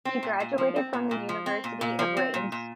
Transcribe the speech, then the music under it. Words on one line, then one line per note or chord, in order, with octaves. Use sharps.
He graduated from the University of Rennes.
C4
A#2
A#2
F3
C4
A#2
A#2
F3
C4
A#2
A#2
F3
C4
A#2
A#2